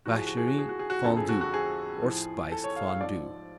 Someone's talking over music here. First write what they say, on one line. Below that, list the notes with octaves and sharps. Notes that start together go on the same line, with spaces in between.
Vacherin Fondu, or Spiced Fondu.
A2 F3 F#4
G#4
F#4
G#4
F#4
G#4
F#4
G#4
F#4
F2 D3 F3 A4
G#4
F#4
F#4
G#4
A2 F3
A4
C#5
F5
F5
G#2 F3 D5